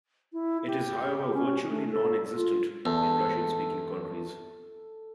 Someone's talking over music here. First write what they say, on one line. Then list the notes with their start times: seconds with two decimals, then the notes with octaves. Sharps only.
It is however virtually non-existent in Russian-speaking countries.
0.33 E4
0.67 G4
1.34 C#4
1.69 A3
1.91 A4
2.33 F4
2.85 E2 A4